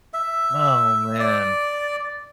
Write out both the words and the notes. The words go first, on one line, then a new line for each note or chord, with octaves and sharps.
Oh, man.
E5
D5